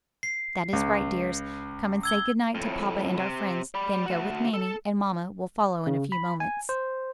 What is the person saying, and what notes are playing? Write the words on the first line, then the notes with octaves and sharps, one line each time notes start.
"That is right, dears; come and say good-night to papa and our friends; then go with mammy and mamma will follow in a few moments."
C7
C#2
E6 G#6 G7
F2 A2
C3
D5 B5
A3 F#4
A4
C#3
B5
G#5
C5